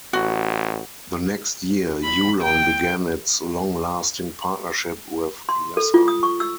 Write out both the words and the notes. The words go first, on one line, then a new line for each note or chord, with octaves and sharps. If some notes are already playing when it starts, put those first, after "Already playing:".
The next year Yulon began its long-lasting partnership with Nissan.
A1 F#4
B5
G5
C6
A4
F4
D#6
C#6
E6